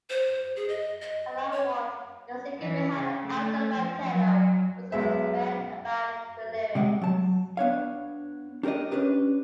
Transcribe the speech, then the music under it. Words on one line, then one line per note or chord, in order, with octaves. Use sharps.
Alan Ward, the singer behind Elton Motello, was circumspect about the lyrics.
C5
G#4
D#5
D#5
C#5
E3
C#3
A3
F3
F#3
B1 G#3 E5
C3 G#3
F#3 A5
B3 D4 C#5 F5
D4 G4 A#4 D5 D#5
C#4 D4 G4 B4